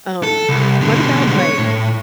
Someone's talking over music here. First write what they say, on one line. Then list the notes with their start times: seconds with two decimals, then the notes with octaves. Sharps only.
Um, what about like
0.23 A4
0.49 C2
0.81 B2 D3
1.27 D3 G#3
1.38 C#5
1.59 A2